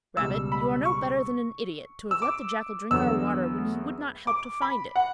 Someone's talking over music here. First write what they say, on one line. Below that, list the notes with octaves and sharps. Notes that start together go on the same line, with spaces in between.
'Rabbit, you are no better than an idiot to have let the jackal drink our water when he would not help to find it.
C#2 B2 G3 E6
B5
C#6
E6
D6
E2 D3 F#3 B3 E6
D6
B5
F#5